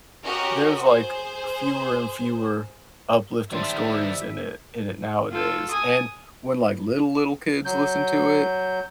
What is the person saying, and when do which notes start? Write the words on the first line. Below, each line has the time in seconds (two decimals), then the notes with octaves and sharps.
there's, like, fewer and fewer uplifting stories in it in it nowadays, and when, like, little little kids listen to it,
0.23 C#4 F#4 G4 A#4 D#5
0.83 G#4 C5
3.52 D#3 G3 D4 C5 E5
5.32 F4 A4
5.71 G#5 D#6
7.65 F#3 G6